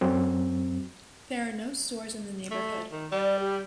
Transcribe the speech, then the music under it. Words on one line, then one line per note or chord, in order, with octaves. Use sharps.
There are no stores in the neighborhood.
F#2 F#3 C4
A3
D#3
G3 D5
G4